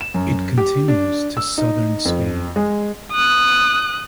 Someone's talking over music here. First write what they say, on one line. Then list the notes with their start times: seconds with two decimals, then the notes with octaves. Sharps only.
It continues to southern Spain.
0.01 E7
0.14 F#2
0.58 G4
0.88 D4
1.37 E6
1.58 D#4
2.05 F2
2.56 G#3
3.12 D#6 F#6